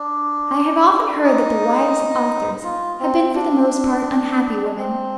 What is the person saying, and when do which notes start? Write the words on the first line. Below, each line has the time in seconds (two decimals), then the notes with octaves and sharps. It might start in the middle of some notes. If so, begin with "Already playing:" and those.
I have often heard that the wives of authors have been for the most part unhappy women.
Already playing: D4
1.22 D#4
2.64 F4
3.00 C4
3.35 D4
4.78 C4